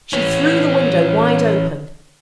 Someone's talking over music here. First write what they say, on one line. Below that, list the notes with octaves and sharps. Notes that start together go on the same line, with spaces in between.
She threw the window wide open.
E3 C#4